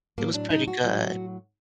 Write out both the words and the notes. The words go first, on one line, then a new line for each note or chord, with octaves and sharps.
It was pretty good.
A2 F#3 A#3
D4
D#4
F#4
A2 F#3